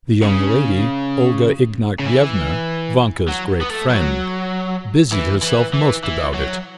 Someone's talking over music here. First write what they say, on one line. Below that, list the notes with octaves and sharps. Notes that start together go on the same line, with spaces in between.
The young lady, Olga Ignatyevna, Vanka's great friend, busied herself most about it.
C#3
C#3
E3
F#3
B3
A3
F#3
E3
E3
E3
E3
F#3